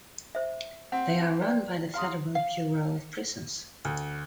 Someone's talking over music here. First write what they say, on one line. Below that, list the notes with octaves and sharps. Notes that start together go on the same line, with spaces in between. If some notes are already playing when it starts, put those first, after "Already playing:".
They are run by the Federal Bureau of Prisons.
C5 E5
C4 F#5
B4 D5 G5
F5 C6 D#6
F5
D2